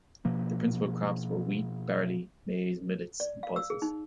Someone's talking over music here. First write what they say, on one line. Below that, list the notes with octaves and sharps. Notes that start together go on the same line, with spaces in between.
The principal crops were wheat, barley, maize, millets, and pulses.
B2 F3 A#3
D5
F5
E6
G#4
D#4